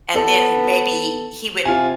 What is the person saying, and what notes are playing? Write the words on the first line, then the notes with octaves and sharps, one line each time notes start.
and then maybe he would
B3 A4
C3 F4 G#5